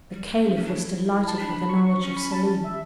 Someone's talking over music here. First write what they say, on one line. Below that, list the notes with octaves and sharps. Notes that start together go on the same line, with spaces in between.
The Caliph was delighted with the knowledge of Selim.
G3
A3
C#4
C#4
D4
E4
A5
D4 B5
C#6
C#4 C#6
B5
A5
E5